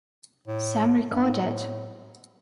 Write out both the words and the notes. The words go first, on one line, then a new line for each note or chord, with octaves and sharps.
Some record it.
A2
G2
G#2
A2
A2